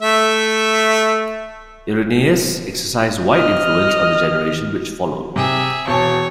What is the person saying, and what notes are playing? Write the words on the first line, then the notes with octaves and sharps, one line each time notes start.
Irenaeus exercised wide influence on the generation which followed.
A3 E5
D#5 F6
C3 G#4 E5
E1 C#5 A5 C#6